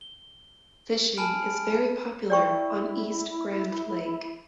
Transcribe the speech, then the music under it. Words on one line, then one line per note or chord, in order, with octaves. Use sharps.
Fishing is very popular on East Grand Lake.
G7
G#5 A5 B5 F6 D7
E4 D5 G5 C#6